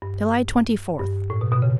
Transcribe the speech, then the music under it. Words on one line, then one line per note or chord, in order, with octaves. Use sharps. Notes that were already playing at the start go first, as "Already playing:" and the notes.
July Twenty-fourth.
G2
G2
A2
B2
B2
C#3